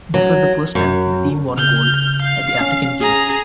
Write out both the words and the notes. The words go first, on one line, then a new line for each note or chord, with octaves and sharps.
This was the first time the team won gold at the African Games.
F#3
F#2
C#3 F6 G6
F5
C#4
G#4 A#5